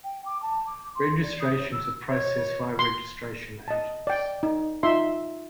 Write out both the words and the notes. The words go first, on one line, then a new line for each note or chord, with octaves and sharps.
Registrations are processed via registration agents.
G5
D6
A5
D6
C6
D5
D#6
C#5
E6
C#5
C6
D#5 A5
D5 G5
D#4
D#4 F4 E5 C6